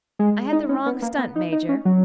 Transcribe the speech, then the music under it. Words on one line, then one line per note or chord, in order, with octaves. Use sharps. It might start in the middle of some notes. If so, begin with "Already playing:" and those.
I had the wrong stunt, Major.
G#3
D#4
C#4
B3
A#3
B3
D#4
D#4
C#4
F#3